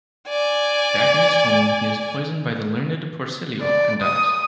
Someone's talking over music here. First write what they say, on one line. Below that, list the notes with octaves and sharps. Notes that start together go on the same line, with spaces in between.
Back in his home he is poisoned by the learned Porcellio and dies.
D5 G#5
D5
D#6